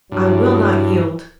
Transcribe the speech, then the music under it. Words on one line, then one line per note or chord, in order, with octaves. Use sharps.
I will not yield.
G2 F#3 E4